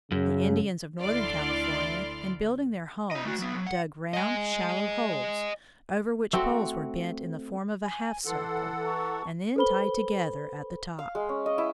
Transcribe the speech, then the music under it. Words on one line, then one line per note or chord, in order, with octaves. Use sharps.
The Indians of northern California in building their homes dug round, shallow holes, over which poles were bent in the form of a half-circle, and then tied together at the top.
F#2 C#3
D2 D3 E4 D5 C6 F6
E4 D#5
A3 F#4
F#3 B3
F#3
F#5
D#5 G#5
A3 C4 F#4
G#5
E3 A4 F#5 C6
A5 A#5 C#6
A4 B4 C5 B5 G7
F5
G#3
C#4
D#5
E4